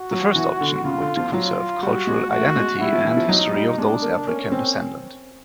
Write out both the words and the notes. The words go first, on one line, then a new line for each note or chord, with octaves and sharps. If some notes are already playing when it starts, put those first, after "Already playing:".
The first option would conserve cultural identity and history of those African descendant.
Already playing: F#4
F#3
E3
D3
C#3 F4
D3
F3
F#3 F4
G3 F#4
G#3
A3 F#4
G#3
G3 E4
F3
E3
F3
F#3 D#4
G3
G#3 D4
A#3
A#3 C#4
C4